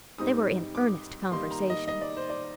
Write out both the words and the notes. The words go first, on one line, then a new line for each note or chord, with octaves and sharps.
They were in earnest conversation.
G#2 G3 C4 D#4 D#6
D6
D#3 G3 A#3 D#4 C6
A#5
D#5
D#5
D5
C5
D5